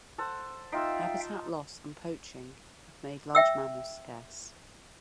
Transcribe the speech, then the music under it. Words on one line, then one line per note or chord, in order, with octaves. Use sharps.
Habitat loss and poaching have made large mammals scarce.
A4 C5 F#5
D#4 F4 E5 F5 G5 E6
E5 G5 E6